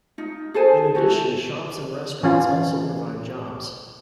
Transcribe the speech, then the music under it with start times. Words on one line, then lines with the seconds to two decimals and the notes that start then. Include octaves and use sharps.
In addition shops and restaurants also provide jobs.
0.18 D#4 F4
0.54 G#4 A4 C5 G#5
0.95 E4 F#4 G4 A4
2.23 E3 C#4 F4